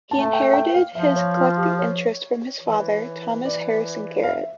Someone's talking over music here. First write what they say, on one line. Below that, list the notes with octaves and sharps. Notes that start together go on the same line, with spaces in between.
He inherited his collecting interest from his father, Thomas Harrison Garrett.
A3 A5
A5
G5
G5
F5
F3 E5
C#5
F4
G4
C#5
E3
D5
F5
E5